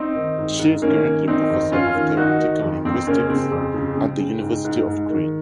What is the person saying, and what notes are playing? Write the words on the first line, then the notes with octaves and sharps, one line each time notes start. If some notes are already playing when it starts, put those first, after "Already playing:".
She is currently Professor of Theoretical Linguistics at the University of Crete.
Already playing: C4 D#4
D#3
G#2
G#2
D#3 A#3 C#4
D#3
D#3 C4 D#4
F2
F2 C#4 F4
D#3
D#3 D#4 F#4
D#3
F2
F2 C4
C#3 A#3 C#4
C#3 C4
F2
C#3
C#3
C#3
G#2
G#2
G#2
D#3